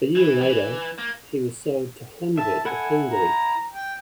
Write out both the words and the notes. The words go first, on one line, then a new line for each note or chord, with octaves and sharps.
A year later, he was sold to Honved of Hungary.
E3
E3
A#3
E5 A5
E4 A4 F#5 G#5
A#5
G5